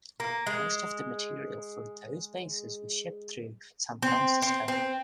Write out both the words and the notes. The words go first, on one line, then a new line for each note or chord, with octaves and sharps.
Most of the materiel for those bases was shipped through San Francisco.
A#3
G#3
C4
C4
C4